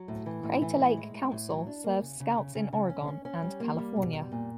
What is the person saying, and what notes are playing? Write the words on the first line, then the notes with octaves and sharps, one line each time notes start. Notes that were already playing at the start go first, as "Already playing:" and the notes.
Crater Lake Council serves Scouts in Oregon and California.
Already playing: F#3
A2
E3
A2
E3
A2
G#3
A2
A2
F#3
D4
A#3
C#3
C#3
C#3
C#3
C#3
C#4
C#4
C#4
G3
A#3
G3
B2
G3
A#2